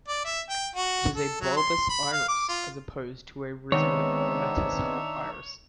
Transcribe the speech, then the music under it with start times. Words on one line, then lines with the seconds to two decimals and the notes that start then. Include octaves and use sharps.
It is a bulbous iris, as opposed to a rhizomatous iris.
0.08 D5
0.25 E5
0.50 G5
0.76 F#4
1.17 A4
1.41 F#3
1.57 C6
1.89 B5
2.13 F5
2.28 D6
2.49 F4
3.72 D#3 G#3 B3 C4 D4 D#4 C#5 E5